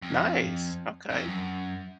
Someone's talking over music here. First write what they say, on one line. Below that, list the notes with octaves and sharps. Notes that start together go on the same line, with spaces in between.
Nice, okay.
F2
F2
F#2